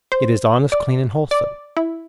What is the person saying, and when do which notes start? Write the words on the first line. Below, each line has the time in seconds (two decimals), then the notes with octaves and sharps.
It is honest, clean, and wholesome.
0.12 C5
0.72 D5
1.31 D5
1.77 E4